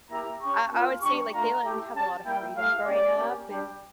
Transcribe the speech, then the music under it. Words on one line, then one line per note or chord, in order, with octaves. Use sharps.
I I would say, like, they let me have a lot of freedom growing up, and
A#3 E4 G4 A#5
C#4 G4 C#6
A#3 C#4 F4
G3 D4 G4 C#6
A3 D4 F4 A#5
A3 E4 G4
C#4 G4 A5
G3 A#3 E4 G5
A3 E4 G4 F5
A#3 C#4 G4 D5
A#3 C#4 G4
G3 D4 G4